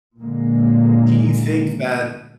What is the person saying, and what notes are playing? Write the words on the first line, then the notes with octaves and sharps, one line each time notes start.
do you think that
A#2 D3 G#3 A#3